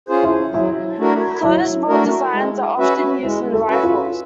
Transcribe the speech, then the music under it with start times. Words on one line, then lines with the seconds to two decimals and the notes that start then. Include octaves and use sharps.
Closed-bolt designs are often used in rifles.
0.09 C#4 F4 G#4 C5
0.23 E4
0.54 F#3 E4
0.98 A3 D4 F#4 A#4
1.43 F#3 E4
1.88 A3 D4 F#4 A#4
2.33 G#3
2.78 C#4 F#4 B4 E5
3.23 G#3 E4
3.53 A4
3.68 C#4 F#4 B4 E5
3.83 F4